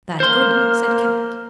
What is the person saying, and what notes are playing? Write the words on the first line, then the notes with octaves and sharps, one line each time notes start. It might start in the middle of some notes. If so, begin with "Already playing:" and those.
"That good," said Kadok.
A#3 C5 C6 F6